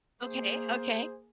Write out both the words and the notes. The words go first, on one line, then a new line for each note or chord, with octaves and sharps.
Okay, okay.
A#3 G#4 C5